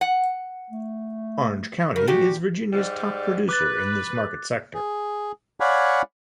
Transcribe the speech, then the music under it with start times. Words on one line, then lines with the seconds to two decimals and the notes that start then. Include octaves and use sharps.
Orange County is Virginia's top producer in this market sector.
0.01 F#5
0.70 A3
1.96 C#3 A#4
2.08 A#2 F#4 G4
2.73 G#2 G3 D5
3.49 B4 D6 F#6 A6
4.74 G#4
5.60 C#5 D5 F5 F#5 G#5 B5